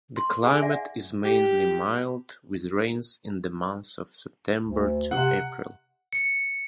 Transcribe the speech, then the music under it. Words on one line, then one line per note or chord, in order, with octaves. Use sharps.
The climate is mainly mild with rains in the months of September to April.
C6
G#4 G#5
D5 E5 F#5
G4
D2
C3 F#5
C#7